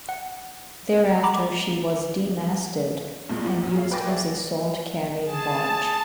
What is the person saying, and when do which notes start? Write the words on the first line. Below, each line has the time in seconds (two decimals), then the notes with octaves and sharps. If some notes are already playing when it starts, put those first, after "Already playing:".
Thereafter she was demasted and used as a salt-carrying barge.
0.09 F#5
1.23 A#5 B5 D6
3.29 E2 G2 A#2 G#3
3.45 G#2 F3
3.63 F#2 A#2
3.75 G#4 C#5 F5
3.91 B4 G5 G#5 D6 A6 A#6
4.06 F#4 G#4 C#5 D5 E5
5.25 G#4 A5